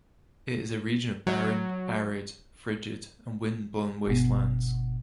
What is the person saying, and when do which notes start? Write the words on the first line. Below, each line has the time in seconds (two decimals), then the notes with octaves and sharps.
It is a region of barren, arid, frigid and wind-blown wastelands.
1.27 F#3
4.07 G1 B2